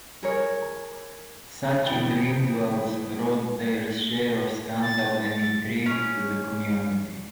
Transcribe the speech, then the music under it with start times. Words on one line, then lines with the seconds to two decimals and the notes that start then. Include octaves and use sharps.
Such individuals brought their share of scandal and intrigue to the community.
0.23 G#4 A#4 C#5
1.86 F2 D3 E3 G5 B5 A6
4.82 A6
5.86 C#4